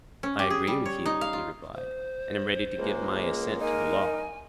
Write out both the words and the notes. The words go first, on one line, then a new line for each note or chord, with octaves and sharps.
I agree with you, he replied, and am ready to give my assent to the law.
C#4
G4
G#4
G3
C#5
D#4
F5
F4
C5
C#2 G#3 A#3
D#4 A#4 G#5